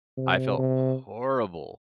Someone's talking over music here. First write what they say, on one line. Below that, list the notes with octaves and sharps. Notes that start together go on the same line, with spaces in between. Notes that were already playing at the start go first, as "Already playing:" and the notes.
I felt horrible.
C3
C3